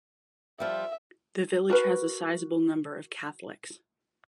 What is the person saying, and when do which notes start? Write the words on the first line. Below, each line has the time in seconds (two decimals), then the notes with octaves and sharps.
The village has a sizeable number of Catholics.
0.60 F3 G3 E5
1.70 F#4 A#4 B4